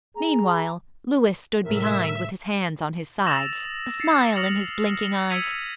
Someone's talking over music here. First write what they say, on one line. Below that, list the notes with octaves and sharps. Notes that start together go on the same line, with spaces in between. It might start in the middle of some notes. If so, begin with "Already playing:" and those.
Meanwhile, Louis stood behind, with his hands on his sides, a smile in his blinking eyes.
G#4 A#5
A2 C3 G3 A#4 E5
D#6 E6 A6 A#6 E7 F7
A6 C7 C#7
D#6 F6 A#6 C#7 F7 F#7
E6 G#6 B6 C#7 D#7 F7